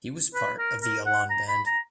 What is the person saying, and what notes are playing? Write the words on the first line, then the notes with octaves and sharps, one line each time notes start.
He was part of the Alon band.
B4
A#4
A#4
F#5
A#5
B5
A#5